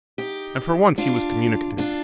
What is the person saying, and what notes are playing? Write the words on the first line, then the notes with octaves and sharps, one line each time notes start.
And for once he was communicative.
D#4 G4
D4 F4
D4 F4